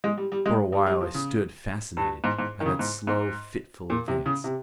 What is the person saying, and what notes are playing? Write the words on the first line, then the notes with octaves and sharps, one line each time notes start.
For a while I stood fascinated by that slow, fitful advance.
G#3
G3
G3
G#3
G3
G3
F3
C#3
G2
G#2
G#2
D#3
C#3
G#2
G#2
A#2
C3
C#3
C3